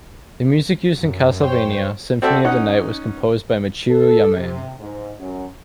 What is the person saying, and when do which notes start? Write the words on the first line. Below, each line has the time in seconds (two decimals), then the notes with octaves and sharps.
The music used in "Castlevania: Symphony of the Night" was composed by Michiru Yamane.
1.00 F#2
1.41 C5 C#5 G5
2.22 C4 F#4 A4 D5 E5 G5
2.45 C#4 D#4 F#5
3.90 A4
4.37 C3
4.80 G#2
5.20 F#2